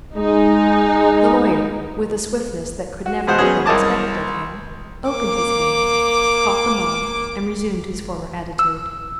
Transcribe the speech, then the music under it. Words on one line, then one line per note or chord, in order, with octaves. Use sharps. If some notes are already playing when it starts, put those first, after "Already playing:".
The lawyer, with a swiftness that could never have been expected of him, opened his hands, caught the moth, and resumed his former attitude.
G#3 D#4
F#4
B2 G#3 C5 F#5
F#3 B3 C#4 G#4
C2 A#4 D#5 A5 D6
A#3 D6
E6